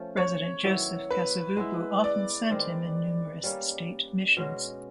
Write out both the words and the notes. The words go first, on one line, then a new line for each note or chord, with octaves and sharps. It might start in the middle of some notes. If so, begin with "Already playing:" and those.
President Joseph Kasavubu often sent him in numerous state missions.
Already playing: F3 A3 C#4
C#5
D#3 F#3 B3 E4
B4
G#3 B3 E4
D5
D#3 G#3 C4
G3 A#3 C#4
B2 G#3 C#4 F#4